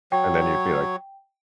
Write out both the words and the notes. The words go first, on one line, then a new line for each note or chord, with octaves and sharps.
and then you'd be like,
F#3 C#5 G5